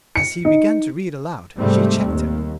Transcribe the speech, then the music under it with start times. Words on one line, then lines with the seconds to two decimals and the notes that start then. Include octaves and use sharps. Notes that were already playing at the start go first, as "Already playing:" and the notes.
As he began to read aloud she checked him.
0.16 C#7
0.45 D#4
1.57 G#2 C3 G3 A3 C4
2.06 D#2